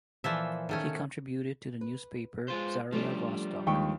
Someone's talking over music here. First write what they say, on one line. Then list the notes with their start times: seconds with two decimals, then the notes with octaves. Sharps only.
He contributed to the newspaper "Zaria Vostok".
0.24 A#2 E3 F3 E5
0.69 D#3 A3 C#4
1.81 B4
2.48 G#3 F4 C5
2.92 F3 G3 A3 C#4 D4
3.67 D#2 G#3 B4 G5 C#6